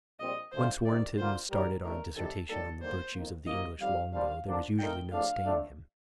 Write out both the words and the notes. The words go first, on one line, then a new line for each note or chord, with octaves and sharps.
Once Warrenton was started on a dissertation on the virtues of the English longbow there was usually no staying him.
A#1 A#2 G3 C4 D#5
D2 D3 A3 C4 F4 C5
F2 C3 D#3 D5
D3 G3 A#3 F4 C5
D#2 D#3 G3 A#4
A1 G2 D#3 A3 A#4
C3 D#3 G3 A4
D#2 D#3 G3 A#3 A4
D#2 D3 G3 A#3 C5
F2 D#3 A#3
C2 C3 D#3 A#3 D#5
F2 D#3 G3 F5
A#2 G3 D4 G4 C5 F5
D3 F3 A#3 D4
A#2 A3 D#4 A#4 G5
A#1 A2 F3 A3 D4 F5
F2 D3 A3 D4